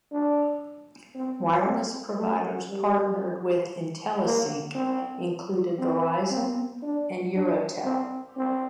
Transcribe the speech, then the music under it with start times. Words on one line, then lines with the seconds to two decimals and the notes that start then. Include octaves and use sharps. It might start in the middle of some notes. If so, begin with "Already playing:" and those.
Wireless providers partnered with Intellisync included Verizon and Eurotel.
0.12 D4
1.15 C4
1.66 C4
2.18 A3
2.69 G3
4.24 A#3
4.75 C4
5.79 C4
6.31 C4
6.82 D4
7.34 D4
7.85 C4
8.37 C4